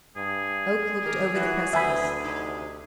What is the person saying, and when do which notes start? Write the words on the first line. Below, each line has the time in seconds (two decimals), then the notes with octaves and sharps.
Oak looked over the precipice.
0.16 G2 G#4
1.03 D#3 G4 A#4
1.36 E3 F#4
1.73 D2 B3 C4 E5 G#5 B5
2.20 C3 D#4